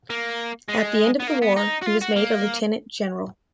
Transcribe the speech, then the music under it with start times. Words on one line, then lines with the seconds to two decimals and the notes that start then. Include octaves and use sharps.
At the end of the war he was made a Lieutenant-general.
0.10 A#3
0.68 G#3
1.20 B3
1.28 A#3
1.42 B3
1.57 D#4
1.82 F#4
1.86 F4
2.02 F#4
2.16 A#3